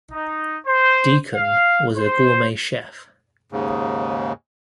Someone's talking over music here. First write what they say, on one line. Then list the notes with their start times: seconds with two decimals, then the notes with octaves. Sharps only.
Deacon was a gourmet chef.
0.12 D#4
0.66 C5
1.34 F5
1.97 C5
3.52 D#2 G#2 C#3